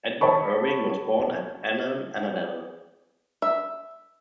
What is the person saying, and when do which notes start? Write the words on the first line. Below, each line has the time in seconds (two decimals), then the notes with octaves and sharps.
Edward Irving was born at Annan, Annandale.
0.21 C#5 A5 B5 C#6
3.42 E5